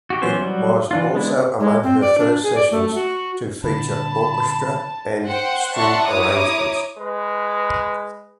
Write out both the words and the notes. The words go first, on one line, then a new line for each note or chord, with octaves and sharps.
It was also among her first sessions to feature orchestra and string arrangements.
F#4 G4
E3 F#3 B3 C#4 C5
F#3 G3 F#4
E3 D4 F4
G#3 B3 D4 E4
G#3
C4
D5
D4
G#4
D5
A3
F#4
A#2 D3 G3 A5 B5
C5 F#5 G5
D5 E5 F#5 A5 C6 C#6
E4 C#5 A#5 D6 D#6
G#3 B4